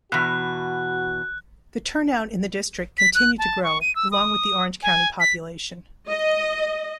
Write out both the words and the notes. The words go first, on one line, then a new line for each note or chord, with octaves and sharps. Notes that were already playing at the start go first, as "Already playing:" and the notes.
The turnout in the district continued to grow along with the Orange County population.
E2 B2 F#4 F#6
B6
F#6
A5
C#6
D#7
E6
D#6
G#5
B6
D#5